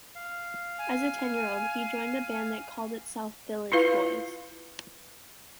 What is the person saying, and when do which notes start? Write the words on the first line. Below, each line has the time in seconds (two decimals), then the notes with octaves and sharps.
As a ten-year-old, he joined a band that called itself “Village Boys”.
0.15 F5
0.79 G#5
3.72 E4 F4 B4 F5